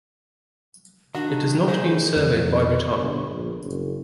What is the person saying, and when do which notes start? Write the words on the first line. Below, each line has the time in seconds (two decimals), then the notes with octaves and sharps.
It has not been surveyed by Bhutan.
1.15 D#3 D4 F#4
1.68 A3 A#3 G#4 C5
2.16 F2
2.96 G1
3.30 A#1
3.63 F#1